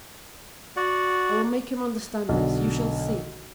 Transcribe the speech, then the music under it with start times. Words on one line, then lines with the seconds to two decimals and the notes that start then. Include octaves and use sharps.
I will make him understand this, you shall see.
0.77 F#4 D5 F#5
2.29 B1 D3